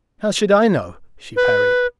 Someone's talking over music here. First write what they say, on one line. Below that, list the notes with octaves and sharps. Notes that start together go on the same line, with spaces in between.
"How should I know?" she parried.
B4